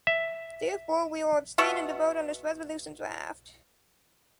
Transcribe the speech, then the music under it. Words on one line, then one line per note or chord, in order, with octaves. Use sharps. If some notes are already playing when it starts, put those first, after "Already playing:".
Therefore, we will abstain in the vote on this resolution draft.
E5
B2 E5 F#5 C#6